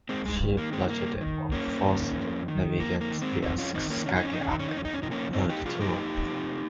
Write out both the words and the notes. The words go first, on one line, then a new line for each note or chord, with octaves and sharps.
Ships larger than were forced to navigate via Skagerrak, a detour.
G#3 C4
G2 G#3
D#3 A#3
G#3 C4
G2 A#3
D#3
G2 A#3 C#4
D#3
F2
D#3
F2 A#3
A#3
D#3
G#3 C4
F2 C4 D#4
C#4 F4
D#3 C4 D#4
A#3 C#4
F2 C#4
D#4
C#4
D#4
D#3 C#4
D#4
C#4
F2 D#4
C#4
D#4
C#4
C3 F3 D#4
A#3 C#4
F2 C4 D#4
D#4 G4
C3 F3 F4 G#4
D#4 G4
F2
C3 F3